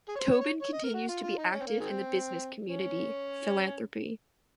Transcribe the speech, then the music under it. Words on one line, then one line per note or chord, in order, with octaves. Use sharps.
Tobin continues to be active in the business community, philanthropy.
G#4
C#5
C5
C#5
C#5
C#5
D#5
A#4
F#4
F4
F4
D#4
C#4
C4
A#3
D#3 G#3 C4
C#4